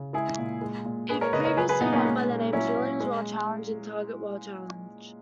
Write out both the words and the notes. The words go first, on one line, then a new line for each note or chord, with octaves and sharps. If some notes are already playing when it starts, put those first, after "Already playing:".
It previously went by the names Williams World Challenge and Target World Challenge.
Already playing: C#3
G#3 E4 G#4
A#2
G#3
A#2
G#3 G#4 B4
A#4 C#5
C#3 B4 D#5
A#4 C#5
F#3 G#4 B4
G#4 B4
A#2 B3 D#4
A#3 C#4
G#3
A#2
F#3 C#4 E4
A#2
G#3